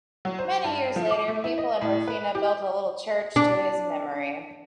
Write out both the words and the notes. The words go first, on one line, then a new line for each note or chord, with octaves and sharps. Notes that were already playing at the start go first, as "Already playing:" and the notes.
Many years later, people in Rafina built a little church to his memory.
F#3
C5
G2
F3
D6
A3
E4
D#5
A2
B4
G4
D4